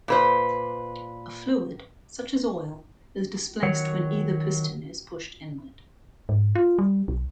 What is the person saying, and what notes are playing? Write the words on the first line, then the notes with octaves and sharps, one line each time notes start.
A fluid, such as oil, is displaced when either piston is pushed inward.
A#2 B4 C5
D#3 F#3 C#5 F#5
G#2
F4
G3
B1